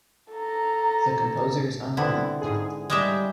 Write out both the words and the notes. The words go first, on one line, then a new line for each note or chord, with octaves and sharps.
The composer is unknown.
A4 A#5
D3 B3 C4 E4
G#2 G#4
G3 G#3 G4 E5